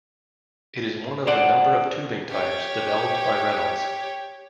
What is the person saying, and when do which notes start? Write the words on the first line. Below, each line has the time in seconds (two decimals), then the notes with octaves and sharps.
It is one of a number of tubing types developed by Reynolds.
1.27 D4 C5 D5 F#5
2.29 G4 C#5